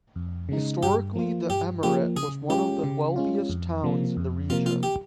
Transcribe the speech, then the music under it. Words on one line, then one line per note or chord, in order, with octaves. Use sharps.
Historically the emirate was one of the wealthiest towns in the region.
F2
C#3 G#3 D#4
G2 G4
F3 A#3 F4
G2 G4
F3 A#3 F4 G4
C#3 G#4
G#3 C#4 F4 G4
C#3
G#3 C#4 F4
F2
C3 F3 A#3
F2
C3 F3 A#3 F4
F4
G4